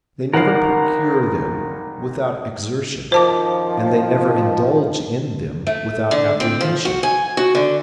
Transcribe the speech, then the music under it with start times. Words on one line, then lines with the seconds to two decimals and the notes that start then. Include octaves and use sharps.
They never procure them without exertion, and they never indulge in them without apprehension.
0.33 G#1 D#3 A#4 F#5 C7
3.12 F#2 D#3 F3 C5 A5 D6
5.67 A3
6.11 D3
6.40 C4
6.61 F3
6.85 F#4
7.03 G#5
7.37 F#4
7.55 D3